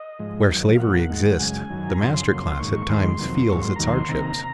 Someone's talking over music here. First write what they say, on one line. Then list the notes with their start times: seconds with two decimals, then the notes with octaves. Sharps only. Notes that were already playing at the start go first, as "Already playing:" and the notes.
Where slavery exists the master class at times feels its hardships.
Already playing: D#5
0.19 G#2 F3 G#3
0.50 F#2 D#3 F#3 A#3
0.75 F5
0.79 A#2 F3 A#3 F#5
1.09 G#2 D#3 G#3
1.39 F#2 C#3 G#3 G#5
1.69 F#2 D#3 F#3
1.89 A#5
1.99 F#2 C#3 F3 C6
2.14 C6
2.29 F2 C#3 F#3 A#3
2.59 G#2 D#3 A#3 C#6
2.89 D#2 D#3 G#3 C6
3.19 F2 C3 D#3 F#3 A#3
3.49 G#2 F#3 A#3 C#6
3.62 C6
3.76 D#2 D#3 F#3 A#3 A#5
3.89 C6
4.09 C3 D#3 A#3 A#5